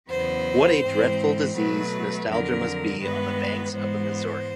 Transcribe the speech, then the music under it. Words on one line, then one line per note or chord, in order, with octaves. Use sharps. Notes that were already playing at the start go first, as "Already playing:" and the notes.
What a dreadful disease nostalgia must be on the banks of the Missouri.
E2 C#3 F#3 B3 C5
G#2 E3 G#3 C4
B2 F#3 A3 B4
F2 D3 F#3 A#4
G2 D#3 G#3 B3 B4
G#2 E3 G#3 B3 C5